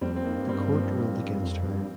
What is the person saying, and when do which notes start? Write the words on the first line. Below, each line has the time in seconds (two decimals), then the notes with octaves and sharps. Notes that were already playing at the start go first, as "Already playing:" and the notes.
The court ruled against her.
0.01 F2 G3 C4
0.16 C4
0.25 A#3 D#4
0.37 G2
0.49 G3 C4
0.72 F3 A#3
1.43 F2
1.66 G2